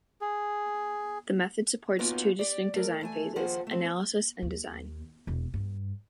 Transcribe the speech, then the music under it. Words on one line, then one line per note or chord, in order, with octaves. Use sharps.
The method supports two distinct design phases: analysis and design.
G#4
A#3 B3 C#4 D#4 F4 F#4
G4 D5
A3 A#4
E3 A3 G#5
D#2 F3 G#4 C5 F#5
A3 C4
D#2
E1
G2